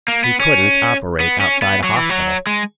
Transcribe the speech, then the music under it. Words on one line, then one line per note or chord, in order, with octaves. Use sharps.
He couldn't operate outside a hospital.
A#3
B3
C#4
B3
C#4
B3
F#3
E3
F#3
G#3